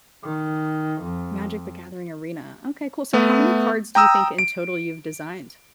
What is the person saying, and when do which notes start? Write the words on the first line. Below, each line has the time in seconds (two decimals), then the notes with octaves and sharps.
Magic the Gathering Arena. Okay, cool. So, how many cards do you think in total you've designed?
0.23 D#3
1.02 F2
3.13 A3 B3
3.95 G5 A#5 D#6 E6
4.39 D7